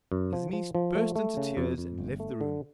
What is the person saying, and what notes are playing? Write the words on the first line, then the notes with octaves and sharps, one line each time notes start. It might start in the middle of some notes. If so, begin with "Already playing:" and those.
His niece burst into tears and left the room.
F#2
F3
F3
F3
A3
A3
C#3
F2
F2
G1
A3
D3